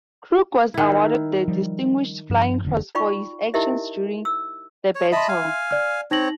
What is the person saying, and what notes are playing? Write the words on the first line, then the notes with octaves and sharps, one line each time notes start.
Crook was awarded the Distinguished Flying Cross for his actions during the battle.
D#3 E4
F3 G3
G2 F3
F1 D3 E3
D#4 F4 D5 G5 B5 C#6
D#4 E4 G4 A#4 D#5 E5
E6
C#5
D#5 E5 A5 B5 C6
F5 G#5
D5 F6
C4 D#4 C#5 A#6 F#7